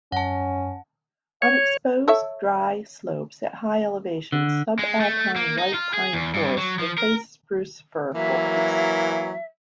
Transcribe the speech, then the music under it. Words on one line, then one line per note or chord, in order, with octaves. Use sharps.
On exposed, dry slopes at high elevations, subalpine white pine forests replace spruce-fir forests.
F#2 C#4 F#5 A5
C#5
A4 C#5 E5
D3
G#3
A3
A#3
D#4
F4
G#4
E2
G2
F#3
F3
A#4
E3 F#3 A#3 E5